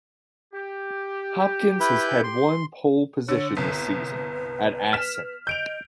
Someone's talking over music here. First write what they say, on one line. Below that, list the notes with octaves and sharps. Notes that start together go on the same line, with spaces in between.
Hopkins has had one pole position this season, at Assen.
G4
E4 B4 G6
C6
D3 C#5
G1 C2 B4
F6 B6 E7
D#5 G6 D7 F7